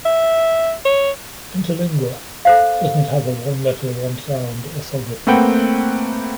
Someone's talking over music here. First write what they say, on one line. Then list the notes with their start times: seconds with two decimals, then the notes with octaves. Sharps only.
Interlingua doesn't have a 'one letter one sound' orthography.
0.05 E5
0.85 C#5
2.45 A4 C5 F5
5.27 A3 A#3 C4 B4 F#5 G5